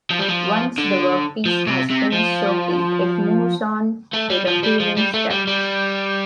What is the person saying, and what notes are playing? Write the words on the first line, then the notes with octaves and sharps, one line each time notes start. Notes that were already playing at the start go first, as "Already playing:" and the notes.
Once the workpiece has finished soaking, it moves on to the cooling step.
F3
G3
F3
D3
F3
C3
C3
F3
A3
G3
F3
G3
F3
G3
A3
G3
G3